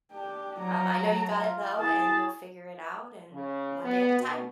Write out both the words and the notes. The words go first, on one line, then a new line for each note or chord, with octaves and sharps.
um, I know you got it though, and you'll figure it out, and one day at a time.
D4 G4
F#3 A#5
A5
F4
E4 G#4 A5
C#3
B3
B2